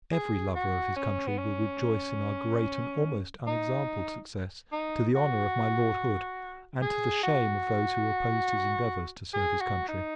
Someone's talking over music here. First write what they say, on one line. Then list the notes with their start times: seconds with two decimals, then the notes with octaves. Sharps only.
Every lover of his country will rejoice in our great and almost unexampled success, to the honour of my Lord Hood, and to the shame of those who opposed his endeavours to serve his country.
0.12 G#4
0.55 F#4
0.96 C#4
1.27 B3
1.38 C#4
3.47 D#4
4.72 D#4
5.15 F#4
6.82 G#4
7.23 F#4
9.34 G#4
9.61 F#4
9.88 D#4